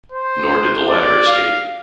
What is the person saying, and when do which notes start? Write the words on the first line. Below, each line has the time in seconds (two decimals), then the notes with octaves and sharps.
Nor did the latter escape.
0.12 C5
0.89 D5
1.26 F5